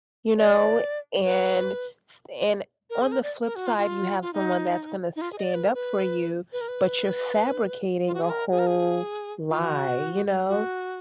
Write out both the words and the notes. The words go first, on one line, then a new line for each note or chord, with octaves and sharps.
you know? And f and on the flip side, you have someone that's gonna stand up for you, but you're fabricating a whole lie, you know?
D5
B4
A#4
G#4
A#4
D5
A#4
F#4
F4
F4
F4
D#4
D#4
F4
G#4
D#5
D5
B4
A#4
B4
B4
A#4
B4
F4
F#4
G#4
A#4
G#4
A#4
G#4
F4
F#4
F#4